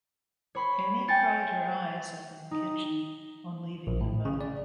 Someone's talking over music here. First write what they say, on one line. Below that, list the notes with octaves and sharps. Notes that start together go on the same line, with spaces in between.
Annie cried her eyes up in the kitchen, on leaving her mother.
C#5 B5 C6
G5 G#5 C6 A6 C#7
D#4
A#1
A2
C#3
D5